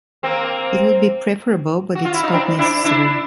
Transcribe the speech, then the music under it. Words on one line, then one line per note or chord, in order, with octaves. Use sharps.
It would be preferable, but it's not necessary.
A#3 C4
F#4
F4
E4
D#4
C4 D4
D4 E4
D4 E4